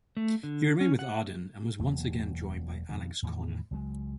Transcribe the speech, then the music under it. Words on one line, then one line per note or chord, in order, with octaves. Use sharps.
He remained with Arden and was once again joined by Alex Connor.
A3
D3
C#4
F#5
E1 E2 F#3 A#3
F2 B2 D#3
E2 A2 D#3 F3
C#2 F#3 G#3